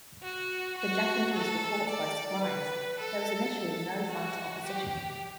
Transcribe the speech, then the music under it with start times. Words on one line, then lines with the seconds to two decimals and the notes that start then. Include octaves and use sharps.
The Japanese were caught by surprise; there was initially no fighter opposition.
0.23 F#4
0.78 F#4
1.34 A4
1.89 D5
2.44 B4
3.00 A4
3.54 A4
4.10 F#4
4.65 G4